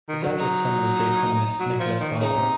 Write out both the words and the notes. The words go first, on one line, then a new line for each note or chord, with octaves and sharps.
His eldest son was the economist Nicholas Barbon.
D#3
F#3
D#4
F#3
F3
D#3
C#3 D#4
C3